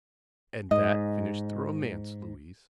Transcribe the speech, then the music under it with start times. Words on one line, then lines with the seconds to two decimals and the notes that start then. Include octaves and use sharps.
"And that finished the romance, Louise."
0.71 G#2 D#5